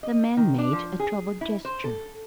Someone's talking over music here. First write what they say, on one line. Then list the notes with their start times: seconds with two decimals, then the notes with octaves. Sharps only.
The man made a troubled gesture.
0.03 D#5
0.37 D#3
0.58 D4
0.73 F3
1.00 G#4
1.41 E4
1.65 C5
1.84 A4